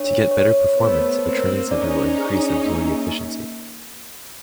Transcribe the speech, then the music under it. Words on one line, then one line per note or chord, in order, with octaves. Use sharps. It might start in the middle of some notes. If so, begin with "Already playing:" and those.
To get better performance a training center will increase employee efficiency.
Already playing: D4 C#5
C#5
A3 B3 C5
A#3 C4 C5
C#4 D#4 D5
G#4
A#3